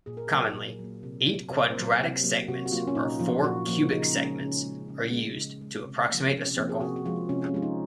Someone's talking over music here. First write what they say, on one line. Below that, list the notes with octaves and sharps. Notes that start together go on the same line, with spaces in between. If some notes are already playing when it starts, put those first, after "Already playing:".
Commonly, eight quadratic segments or four cubic segments are used to approximate a circle.
A#2 G#4
A#4
F#3 A#3 G#4
A#2
F#3 A#3
C3
F#3 A#3
C3 C5
A#4
C5
F#3 A#3
C3
F#3 A#3
C3 F#4
F#4
F#3 A#3 F4
C#4
A#2 D#4
F3 A#3 F4
A#2 F#4
F3 A#3
C#3 D#4
G#3 C#4
C#3 C#4
G#3
C#3
G#3
C#3
G#3
C3
F3 A#3
C3 C#4
F3 A#3 C4
G#4
C3 F#4
F#4
F3 G#3 F4
C3 C#4
C#4
F3 G#3 F4
D#4